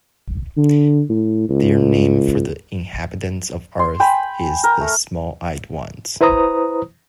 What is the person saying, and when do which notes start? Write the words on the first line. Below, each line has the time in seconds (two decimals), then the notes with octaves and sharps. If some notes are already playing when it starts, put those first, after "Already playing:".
Their name for the inhabitants of Earth is "the small-eyed ones".
0.57 D3
1.10 A2
1.49 C#2
3.79 C6
4.00 G5 G#5 B5
4.64 A#4
4.81 A3
6.21 E4 B4 C5 A#5 D#6